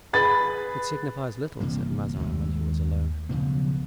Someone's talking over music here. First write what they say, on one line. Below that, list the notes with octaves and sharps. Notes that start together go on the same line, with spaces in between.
"It signifies little," said Mazarin, when he was alone.
G#4 B4 B5 A6
G1 C3 E3 A#3
D#2 G#3 A3
B1 C#3 F3 B3